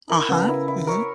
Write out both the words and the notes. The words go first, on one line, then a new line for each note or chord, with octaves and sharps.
Uh-huh, mhm.
E4 A#4
C#3 B3
E4 A#4
E4
A#4 C#5 E5